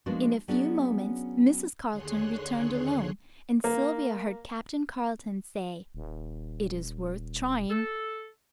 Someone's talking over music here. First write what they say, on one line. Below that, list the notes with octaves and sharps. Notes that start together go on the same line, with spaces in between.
In a few moments Mrs. Carleton returned alone, and Sylvia heard Captain Carleton say: "It is worth trying."
F3 G#3 A#3 B3 D4 F#4
F#3 B3 C#4 D4 F#4 G#4
D#2 D3 G#4 C#5 C6 F#6
A#3
D#1
A4